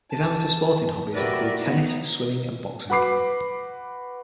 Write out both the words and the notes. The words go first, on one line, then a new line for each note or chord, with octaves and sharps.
His amateur sporting hobbies include tennis, swimming and boxing.
A5
F#4 G4 A#4 B4 D5 E5
B3 D#4
F#4 B4 B5 D6 C7